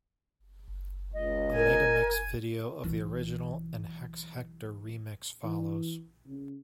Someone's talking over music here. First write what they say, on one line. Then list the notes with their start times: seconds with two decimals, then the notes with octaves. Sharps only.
A megamix video of the original and Hex Hector remix follows.
1.14 C#2 D#5
1.54 A#4 G#5
2.84 B1 E3
5.44 E3
6.26 C#3